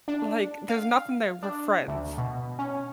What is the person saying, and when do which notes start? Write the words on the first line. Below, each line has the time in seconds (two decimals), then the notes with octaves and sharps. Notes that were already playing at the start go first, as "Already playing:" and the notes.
like, "There's nothing there, we're friends."
0.08 D4
0.69 F5
1.43 D4
1.88 D2
2.18 B2
2.59 C#4